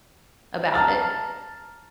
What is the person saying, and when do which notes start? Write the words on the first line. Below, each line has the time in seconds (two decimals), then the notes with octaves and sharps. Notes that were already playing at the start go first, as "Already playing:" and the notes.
about it.
0.74 A5 A#5 F6 A6